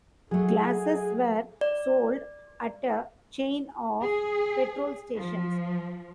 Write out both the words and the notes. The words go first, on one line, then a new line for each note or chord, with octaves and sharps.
Glasses were sold at a chain of petrol stations.
F#3 A3 G#4
D5
G#4
F3